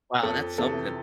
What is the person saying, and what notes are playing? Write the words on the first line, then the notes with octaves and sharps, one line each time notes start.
Wow, that's something.
F2 A4
C3 E3 A4